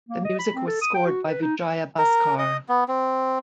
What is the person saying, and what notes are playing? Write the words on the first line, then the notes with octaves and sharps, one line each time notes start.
The music was scored by Vijaya Bhaskar.
A#3
D#5
B5
C4
A4
D#6
G5
F#4
B4
D#4
A#4
D#5
B3
C4